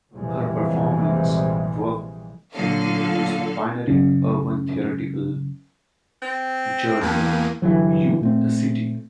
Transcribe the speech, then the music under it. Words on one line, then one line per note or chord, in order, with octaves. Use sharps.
Her performance work includes the pioneering urban theatrical journey, "You-The City".
A#1 F2 C3 E3 G3 G#3
A#2 D3 F#3 A4 F5
F#2 C#3
C4
E2 G2 A#3 D#7
G2 D3 E3 F#3
A#2 A3 C4